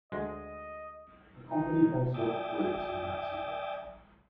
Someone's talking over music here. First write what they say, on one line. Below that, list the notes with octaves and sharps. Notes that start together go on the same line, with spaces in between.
The company also operates in Mexico.
D2 G#3 D#5
D#4
D5 E5 G5 G#5 D#6 A6